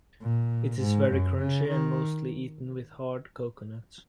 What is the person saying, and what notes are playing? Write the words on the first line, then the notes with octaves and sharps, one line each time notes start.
It is very crunchy and mostly eaten with hard coconut.
A#2
G#2
F#2
C#3
D#3